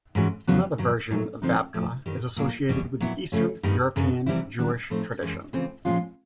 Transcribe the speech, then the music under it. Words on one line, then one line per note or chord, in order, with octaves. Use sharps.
Another version of babka is associated with the Eastern European Jewish tradition.
G#2 E3 G#3 C#4 F#4
E2 C#3 F#3 B3
G2 D#3 F#3
A#2 F#3 A3
D3 F3 G#3 C4 D#4
A2 F3 A3
G2 D#3 G3
A#2 F#3 A#3 D4
E2 B2 G3
A#2 F#3 B3 E4
C#3 F3 A3 C#4
G2 D#3 G3 B3 D#4
F#2 C#3 F#3 B3
C3 E3 G3 C4 E4
D#3 G3 B3 D4
A2 F3 A3 C4 D#4
F#2 C#3 E3 G#3 C#4
C#3 E3 G#3 C4 F4
A#2 F3 G#3 C#4 F4